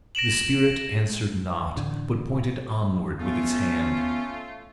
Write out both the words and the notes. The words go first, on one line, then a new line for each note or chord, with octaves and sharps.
The Spirit answered not, but pointed onward with its hand.
A#6 D7 E7 F#7
A1 D3
A3 B3 C#4 F4